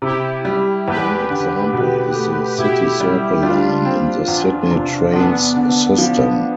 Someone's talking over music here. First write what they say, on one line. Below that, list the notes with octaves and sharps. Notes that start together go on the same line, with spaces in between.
One example is the City Circle line in the Sydney Trains system.
C3 E4 G4
G3
E2 G4 B4
D3
B2
A3
B2 E4 G4
G3
G3 D4 F4
C4
E2
C3
E2 B3 D4
D3
F3